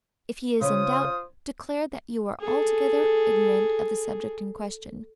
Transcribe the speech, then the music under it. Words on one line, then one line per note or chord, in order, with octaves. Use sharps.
If he is in doubt, declare that you are altogether ignorant of the subject in question.
C#3 F4 C5 D#6
G#4 A4